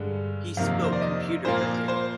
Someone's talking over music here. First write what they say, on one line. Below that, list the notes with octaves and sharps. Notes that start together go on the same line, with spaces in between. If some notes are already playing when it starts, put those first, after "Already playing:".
He spoke computer jargon.
Already playing: G2 D3 G#3
F2 C3 D#3 A#3 F5
C5
D5
D#5
A#2 F3 A#3 C5
C5